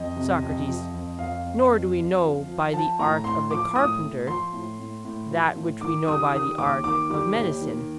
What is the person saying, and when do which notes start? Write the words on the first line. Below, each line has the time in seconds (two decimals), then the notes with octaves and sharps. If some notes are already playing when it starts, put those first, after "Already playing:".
SOCRATES: Nor do we know by the art of the carpenter that which we know by the art of medicine?
Already playing: F2 D#5
0.16 C3
0.42 F2
0.68 F3
0.94 F2
1.19 F2 F5
1.45 F2
1.70 F2
1.97 F2
2.22 F3
2.48 F3
2.73 F3 A5
2.99 A2 A#5
3.24 A2 C6
3.51 F3 D6
3.76 A2 D#6
4.02 A2
4.27 F3 C6
4.53 A2
4.80 A2
5.05 A2
5.30 F3
5.56 A2
5.81 D#3 D6
6.07 G3 D#6
6.33 D#3 D#6
6.58 D#2 D6
6.84 D#3 D6
7.10 G3 D6
7.36 D#2
7.61 D#3